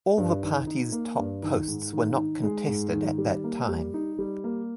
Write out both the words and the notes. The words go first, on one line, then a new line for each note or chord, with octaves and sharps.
All the party's top posts were not contested at that time.
G2
D#3
D#4
A#3
G2
D#3
G#2
D#3
D#4
G#3
G#2
D#3
G3
A#3
G3
D#4
G3
A#3